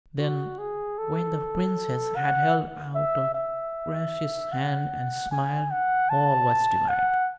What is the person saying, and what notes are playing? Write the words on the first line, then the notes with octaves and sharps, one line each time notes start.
Then, when the Princess had held out a gracious hand and smiled, all was delight!
F#4
G#4
A4
F#5
E5
E5
F#5
G#5
F#5
A5
F#5